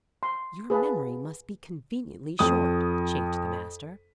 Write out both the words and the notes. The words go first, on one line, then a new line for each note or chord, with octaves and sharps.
"Your memory must be conveniently short," chafed the master.
C6
G#4 B4 F5 A5
F2 D#6